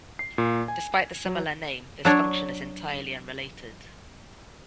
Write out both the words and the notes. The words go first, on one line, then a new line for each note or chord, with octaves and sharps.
Despite the similar name, this function is entirely unrelated.
C7
A#2
G#5
F#3
F#3 D4 C#5